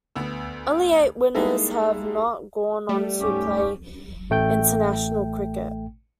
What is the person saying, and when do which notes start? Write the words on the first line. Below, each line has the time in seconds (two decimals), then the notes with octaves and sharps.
Only eight winners have not gone on to play international cricket.
0.16 D2 B3 E6
1.35 G3 G#3 A#3 D#4 E4 A4
2.89 G3 A3
3.20 G#2 C#4 G4
4.30 A1 A3 G5 G6